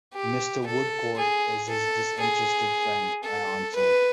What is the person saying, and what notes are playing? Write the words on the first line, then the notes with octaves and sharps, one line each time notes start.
"Mr. Woodcourt is his disinterested friend," I answered.
G4
A4
G#4
A4
G#4
A4
B4